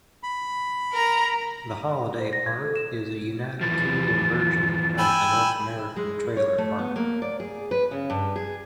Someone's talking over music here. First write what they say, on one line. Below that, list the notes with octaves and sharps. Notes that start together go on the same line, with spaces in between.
The holiday park is a United Kingdom version of the North American trailer park.
B5
A#4 A#5
C5
A#6
G#6
A4
E7
E2 E3 F3 A6
G5 G#5 B5 E6
G#3
C#5
A3
B3
A#3
D5
G#4
B4
C#3
G2
G#4